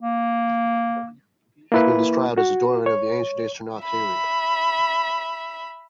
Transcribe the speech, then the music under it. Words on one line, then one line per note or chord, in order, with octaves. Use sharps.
He has been described as the doyen of the ancient astronaut theory.
A#3
A#3 E4 B4
F#4
C#5
E5 B5